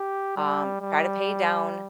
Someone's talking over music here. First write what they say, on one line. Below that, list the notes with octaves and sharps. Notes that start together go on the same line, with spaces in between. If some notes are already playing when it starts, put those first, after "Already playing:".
Um, try to pay down,
Already playing: G4
G3
G3